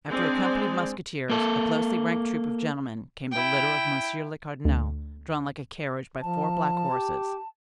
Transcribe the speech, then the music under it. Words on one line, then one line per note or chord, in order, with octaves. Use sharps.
After a company of musketeers, a closely ranked troop of gentlemen, came the litter of monsieur le cardinal, drawn like a carriage by four black horses.
G#3 C4 D4 G#4 C5 D5
A#3 A4
E4 G5
D2
F3 A5
G4